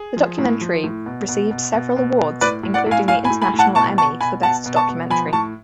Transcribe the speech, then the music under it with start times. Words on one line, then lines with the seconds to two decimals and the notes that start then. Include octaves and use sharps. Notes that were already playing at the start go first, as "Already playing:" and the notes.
The documentary received several awards, including the International Emmy for Best Documentary.
Already playing: G#4
0.17 F3
0.38 A2
0.61 F3
0.84 A2
1.06 B2
1.28 B2
1.51 B2
1.74 B2
1.96 B2
2.18 B2
2.41 A2 B4 D5
2.63 A2
2.74 D5 F#5
2.86 A2
2.91 F5 G#5
3.08 A2 F5 G#5
3.25 G#5 B5
3.30 A2
3.42 G#5 B5
3.54 A2
3.59 F#5 A5
3.75 B2 A5 C#6
3.98 B2 A5 C#6
4.21 B2 G#5 B5
4.43 B2 F#5 A5
4.66 B2
4.76 A5 C#6
4.88 B2
5.10 F3 G#5 B5
5.33 A2 A5 C#6